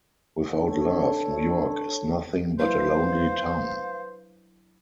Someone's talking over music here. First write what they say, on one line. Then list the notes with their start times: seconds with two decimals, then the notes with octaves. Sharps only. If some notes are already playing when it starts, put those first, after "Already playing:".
Without love, New York is nothing but a Lonely Town.
0.61 D4 A4 C#5
2.60 F#3 D4 E4 B4 C5 F5